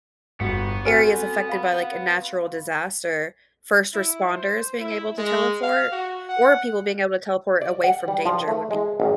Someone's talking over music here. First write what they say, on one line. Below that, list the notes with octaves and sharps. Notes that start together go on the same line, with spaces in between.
areas affected by, like, a natural disaster, first responders being able to teleport, or people being able to teleport away from danger would be
G1 B3 F#4 C#7
C4 F#4 A4 G#5 F6
F5 B5
E4
C5
E4
G#3
F5
F#4
F#5
D5
F#5
G3
F3
A3
G#3
G#1